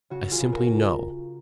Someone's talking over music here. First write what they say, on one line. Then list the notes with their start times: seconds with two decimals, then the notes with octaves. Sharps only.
I simply know.
0.10 C#3 F#4
0.31 F4 G#4
0.39 C#3
0.52 F#4 A#4